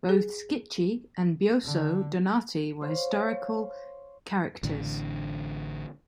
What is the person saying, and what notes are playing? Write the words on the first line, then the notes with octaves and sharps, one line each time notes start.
Both Schicchi and Buoso Donati were historical characters.
G#4
D3
C5 C#5 F5
A1 A2 D3 D4